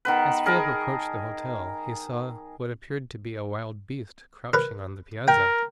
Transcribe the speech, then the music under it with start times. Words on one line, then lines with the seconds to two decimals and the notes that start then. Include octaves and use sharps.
As Philip approached the hotel he saw what appeared to be a wild beast crouching on the piazza.
0.05 D#3 B3 B4
0.46 G#4 A#4 A5 B5
4.53 A#4 B4
5.28 A#4 G5